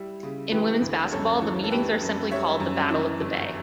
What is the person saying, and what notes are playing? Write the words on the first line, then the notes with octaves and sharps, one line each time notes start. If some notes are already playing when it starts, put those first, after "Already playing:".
In women's basketball, the meetings are simply called the Battle of the Bay.
Already playing: G3 E4
C#3
E3 G4 B4
D2
F#2 A4 C#5
E3
A4
A3 G4 B4
F#2
G3 C#5 E5
F#2
E3
G1